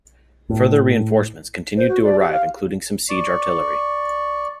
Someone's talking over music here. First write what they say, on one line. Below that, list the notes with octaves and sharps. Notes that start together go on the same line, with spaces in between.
Further reinforcements continued to arrive including some siege artillery.
A2
C5
F#4
D5
G4
F5
D5 C#6